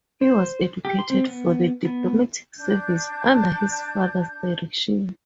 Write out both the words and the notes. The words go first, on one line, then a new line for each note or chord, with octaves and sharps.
He was educated for the diplomatic service under his father's direction.
C5
G4
C6
C4
B3
B3
D4 G6